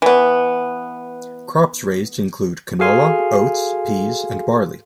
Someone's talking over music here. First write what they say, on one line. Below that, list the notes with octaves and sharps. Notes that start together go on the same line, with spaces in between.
Crops raised include canola, oats, peas and barley.
E3 B3
F#4 G#4 A4 F5 G#5 C6